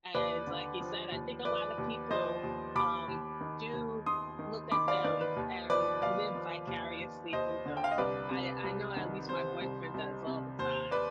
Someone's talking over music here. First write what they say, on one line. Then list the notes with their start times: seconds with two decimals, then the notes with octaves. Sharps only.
and like you said, I think a lot of people, um, do look at them and live vicariously through them, I I know at least my boyfriend does all the time.
0.14 D#2 B4 D5
0.47 D3
0.80 F3
1.12 D#2
1.45 F3 B4 D5
1.78 D#2
2.11 F3 C5 D#5
2.44 D#2
2.75 D#2 B5 D6
3.08 D#2
3.41 D#3
3.74 D#2
4.06 D#3 C6 D#6
4.39 D#3
4.72 D#3 B5 D6
4.88 D5 F5
5.04 D#3 B4 D5
5.21 B4
5.37 D#2
5.70 F3 B4 D5
6.02 D#2 D5 F5
6.35 F3
6.67 D#2
7.00 D#2
7.33 D#2 C5 D#5
7.66 D3
7.77 G5
7.84 F5
7.91 D#5
7.98 C2 B4 D5
8.31 C3
8.64 C2
8.96 D#3
9.29 C3 C5
9.61 C2
9.94 C2
10.26 C3
10.59 D#2 C5
10.91 B4 D5